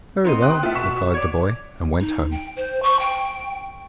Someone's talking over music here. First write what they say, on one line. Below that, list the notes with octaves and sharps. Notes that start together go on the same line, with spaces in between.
'Very well,' replied the boy, and went home.
B3 C4 D#4 D#5
C3 G5 D#6 F#6
A3 F4 E5 F#5
B2 C#6 B6 E7
C#5 D5
D#4
G5
C5
C#6
G5